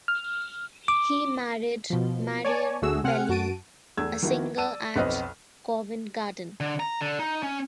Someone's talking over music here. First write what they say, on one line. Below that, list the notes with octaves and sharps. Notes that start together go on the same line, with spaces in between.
He married Marion Beeley, a singer at Covent Garden.
F6
D6
B2 F3
C#5 D5 G#5 A5
D2 D3 A3 F#4 G#4 E6
C3 C4 F#5 G#5 F6
F#2 F#4 A5 D7 D#7
E2 A3 E6 G#6
D#3 F3 A#3 E4 F#4
D5 A5 E6 D#7
B1 F2 B4 C5 D#5 F6
D3
A#5
D3
D#4
C#4